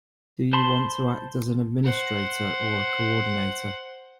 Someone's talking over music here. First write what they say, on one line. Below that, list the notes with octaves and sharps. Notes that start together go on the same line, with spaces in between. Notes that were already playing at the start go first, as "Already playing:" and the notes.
Do you want to act as administrator or coordinator?
C5 A5 B5 C6
C5 F#5